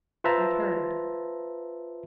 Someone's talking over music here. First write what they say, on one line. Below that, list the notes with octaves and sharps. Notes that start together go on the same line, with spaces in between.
"I've heard."
F4 B4 C5 E5 A5 A#5